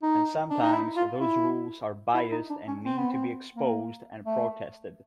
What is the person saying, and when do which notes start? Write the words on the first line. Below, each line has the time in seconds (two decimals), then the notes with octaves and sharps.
And sometimes those rules are biased and need to be exposed and protested.
0.02 D#4
0.50 D4
0.62 D#4
0.73 E4
0.96 F4
1.20 E4
2.14 E4
2.32 D#4
2.49 D4
2.67 C#4
2.85 C4
2.98 B3
3.11 C4
3.55 A#3
4.26 A3